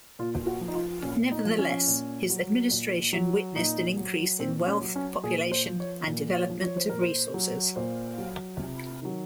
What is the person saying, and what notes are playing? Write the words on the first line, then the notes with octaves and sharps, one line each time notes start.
Nevertheless, his administration witnessed an increase in wealth, population, and development of resources.
A#2 F4
F#4
F3
D#4
F4
A#2 C#4
D#4
F3
C#4
A#2
F#3
A#2
F#3
A#2 D#4
F#3
A#2 C4
C#4
F#3
C#4
A#2 G#4
C5
F3
C#5
A#2
C#5
F3
C#5
C5
A#2 A#4
C5
F#3
A#2 C5
F#3
C3
D#3 F#3